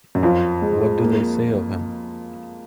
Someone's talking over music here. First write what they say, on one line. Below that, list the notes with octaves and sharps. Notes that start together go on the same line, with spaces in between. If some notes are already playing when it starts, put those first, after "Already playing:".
What do they say of him?
F#2
F2 F4
G#3
A#3